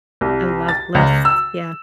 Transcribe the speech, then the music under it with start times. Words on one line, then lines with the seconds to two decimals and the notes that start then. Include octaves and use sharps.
I love lists. Yeah.
0.21 C2
0.69 A6
0.95 C#2
1.25 E6